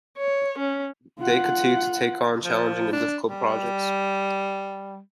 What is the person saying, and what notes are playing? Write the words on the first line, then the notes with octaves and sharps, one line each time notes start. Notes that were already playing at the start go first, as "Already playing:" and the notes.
Day continued to take on challenging and difficult projects.
C#5
C#4
F4 F#5
F3
D4
G3